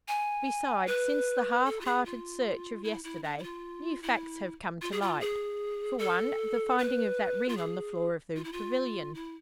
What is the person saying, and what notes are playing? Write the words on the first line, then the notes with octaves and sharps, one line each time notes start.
Besides, since the half-hearted search of yesterday new facts have come to light; for one, the finding of that ring on the floor of the pavilion.
G#5
B4
A4
F4
G#4
F4
E4
E4
D4
E4
F4
E4
F4
G#4
F4
G#4
A4
B4
F4
G#4
F4
E4
F4
E4